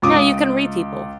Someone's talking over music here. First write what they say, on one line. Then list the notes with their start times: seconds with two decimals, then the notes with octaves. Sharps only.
No, you can read people.
0.02 C#2 D6 D#6